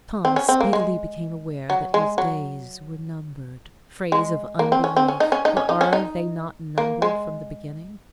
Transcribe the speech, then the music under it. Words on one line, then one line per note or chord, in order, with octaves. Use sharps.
Tom speedily became aware that his days were numbered--phrase of unbelief, for are they not numbered from the beginning?
C4
C#4
C4
A#3
G#3
F#3
G#3
F#3
G#3
A#3
C4
C#4
C4
C#4
D#4
C#4
D#4
C#4
D#4
C#4
D#4
A#3
G#3